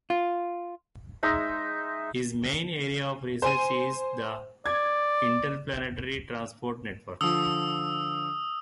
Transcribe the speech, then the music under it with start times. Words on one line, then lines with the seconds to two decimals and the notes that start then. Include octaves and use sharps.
His main area of research is the Interplanetary Transport Network.
0.10 F4
1.23 G#3 D#4 D#5 E5
3.42 C5 G#5 D#7
4.66 D5 G#6
7.21 D3 F3 D#6 E6